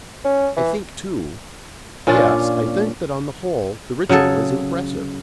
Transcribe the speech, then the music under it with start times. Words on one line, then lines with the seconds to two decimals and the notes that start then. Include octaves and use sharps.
I think too--yes, I think that on the whole the ritual is impressive.
0.24 C#4
0.56 E3
2.07 A#2 C#4 D4 F4
4.09 C#3 F#3 G#4 A4